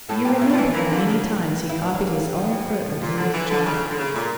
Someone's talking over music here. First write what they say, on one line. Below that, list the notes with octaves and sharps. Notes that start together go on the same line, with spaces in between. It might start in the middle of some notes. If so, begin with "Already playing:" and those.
You remember how many times he copied his own foot when he was a child.
A2 A4
A#2 G4
C#3 E4
C#4
F3
E3 D4
E3 A#3
D3
C#3
A2
G2
E4
D4
C#4
A#3
A3
F3
E3
F3
A2
A#2
D3
E3
D3
C#3
A#2
D3
C#3
A#2 A3